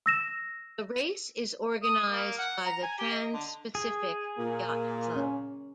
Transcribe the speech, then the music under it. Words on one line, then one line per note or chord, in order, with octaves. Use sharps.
The race is organized by the Transpacific Yacht Club.
E6 A#6 E7
D#6
A#3
F#5
A#5
G#5
G4
D#5
D3
G#4
A#2 A#3
C#4